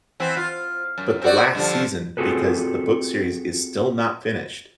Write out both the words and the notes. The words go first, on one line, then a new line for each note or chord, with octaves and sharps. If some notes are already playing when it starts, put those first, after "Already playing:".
but the last season, because the book series is still not finished,
E3 B3 C4
F4
F#2
C4 F#4 D5
G2 D3 F3
C4 F4 F#4 G#4 A4 B4